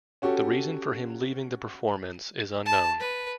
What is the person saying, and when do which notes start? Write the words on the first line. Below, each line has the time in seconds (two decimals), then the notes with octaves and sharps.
The reason for him leaving the performance is unknown.
0.22 C#4 F#4 G4 A4
2.66 A5
3.00 B4